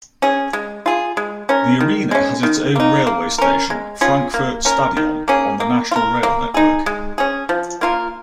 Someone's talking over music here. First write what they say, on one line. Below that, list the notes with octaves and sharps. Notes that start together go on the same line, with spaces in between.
The arena has its own railway station, Frankfurt Stadion, on the national rail network.
C#4 G#4
G#3
F4 G#4
G#3
C#4 A#4
D#3
G#3 C#4
D#3
A#3 D#4
A#3
C#4 A#4
G#3
C#4 F4 G#4
A#3
C#4 A#4
D#3
A#3 C#4 G#4
A#3
F4
A#4
A#3
D#4 G#4
G#3
C#4 G#4
F3
A#3 F4 A#4